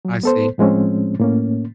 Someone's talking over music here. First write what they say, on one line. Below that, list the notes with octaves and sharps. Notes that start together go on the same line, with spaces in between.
I see.
F#3
B3 A4 C5
A2 F3 G#3 C4 C#4
A2 A#3 C#4